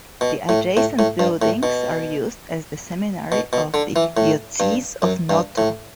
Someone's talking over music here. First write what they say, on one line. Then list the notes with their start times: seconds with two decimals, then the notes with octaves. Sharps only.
The adjacent buildings are used as the seminary of the Diocese of Noto.
0.21 B2
0.49 A2
0.77 A2
0.99 A2
1.19 G2
1.42 A2
1.63 B2
3.32 B2
3.53 B2
3.74 D3
3.96 E3
4.17 A2
4.60 G2
5.02 F#2
5.30 G2
5.58 A2